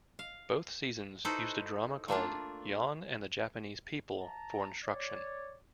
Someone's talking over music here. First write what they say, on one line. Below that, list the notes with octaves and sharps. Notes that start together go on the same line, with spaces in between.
Both seasons used a drama called "Yan and the Japanese People" for instruction.
F5
D#4 E4 F#4 A4 B4 C5
A3 A#3 D4 F4
A5 A#5
C#5 D5